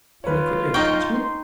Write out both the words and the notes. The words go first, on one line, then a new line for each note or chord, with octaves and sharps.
"Can you quit your detachment?"
F4 B4 C#5
D#4 G5 C#6
C6